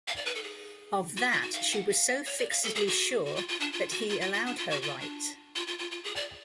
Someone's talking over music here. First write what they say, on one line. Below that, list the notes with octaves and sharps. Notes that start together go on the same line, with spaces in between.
Of that she was so fixedly sure that he allowed her right.
F5
D5
B4
A4
G#4
F#4
F4
F#4
F5
F#5
F5
C#5
D5
F5
A4
G#4
F#4
F#4
F4
F4
D4
F4
F#4
F4
F4
F4
D4
F4
F#4
F4
D4
F4
F4
F4
F4
G#4
D5